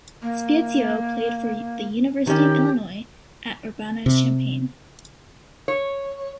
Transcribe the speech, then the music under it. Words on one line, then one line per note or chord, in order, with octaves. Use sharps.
Spiezio played for the University of Illinois at Urbana-Champaign.
A#3
D#3 C#4 G4
C3
C#5